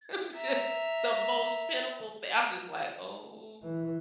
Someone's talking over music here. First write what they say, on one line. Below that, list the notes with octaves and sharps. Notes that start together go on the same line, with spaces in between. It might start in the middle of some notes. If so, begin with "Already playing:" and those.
It was just the most pitiful thing I'm just, like, "Oh,
E5 A#5
E3